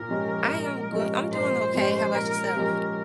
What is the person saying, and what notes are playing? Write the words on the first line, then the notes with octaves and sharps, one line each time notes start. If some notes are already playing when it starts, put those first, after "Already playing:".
I am goo I'm doing okay. How 'bout yourself?
Already playing: A#2 A#4
F3 G#3 C#4 G4
A#2
F3 G#3 C#4 G4
A#2 C5
F3 G#3 C#4 G4
A#2 A#4
F3 G#3 C#4 G4